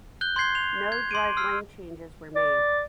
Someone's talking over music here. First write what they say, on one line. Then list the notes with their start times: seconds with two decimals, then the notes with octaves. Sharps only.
No driveline changes were made.
0.21 F#6 G6 G7
0.36 C6 G6 G#6 C7 G7
0.55 F7
0.92 G#6
1.11 C6 D6 D7 D#7
1.37 E6 F6 C7
2.36 D5